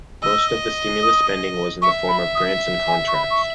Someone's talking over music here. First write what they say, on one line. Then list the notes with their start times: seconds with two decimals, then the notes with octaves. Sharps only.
Most of the stimulus spending was in the form of grants and contracts.
0.23 D#5 E6
1.02 D#6
1.82 E5 C#6
2.09 B5
2.35 D#6
2.88 G#5
3.08 C#6
3.14 B5
3.30 C#6